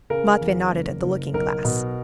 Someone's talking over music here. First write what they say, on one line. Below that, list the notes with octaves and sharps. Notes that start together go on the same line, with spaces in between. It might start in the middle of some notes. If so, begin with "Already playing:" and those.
Matvey nodded at the looking-glass.
C#3 A#4
E2
F#1
F#1
B1 A#4
B2